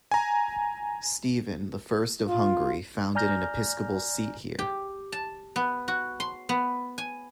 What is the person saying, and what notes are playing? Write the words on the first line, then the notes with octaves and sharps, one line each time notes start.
Stephen the First of Hungary founded an episcopal seat here.
G#5 A#5
F4
D5 G#5 A#5 F6 G6 A#6
G4
A5
B3
F#4
C6
B3
G#5